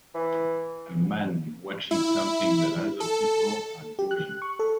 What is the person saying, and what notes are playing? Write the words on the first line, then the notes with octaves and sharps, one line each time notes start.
A man watching something that other people are doing.
E3
E4
A4
G4
F#6
C#6
A4